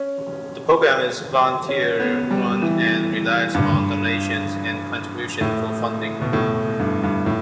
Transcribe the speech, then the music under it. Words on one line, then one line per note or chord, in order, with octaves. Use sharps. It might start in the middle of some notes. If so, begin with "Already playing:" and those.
The program is volunteer-run and relies on donations and contributions for funding.
Already playing: C#4
C#4
B3
G3
E3
G2
A2
B2
A2
G2
G2
A2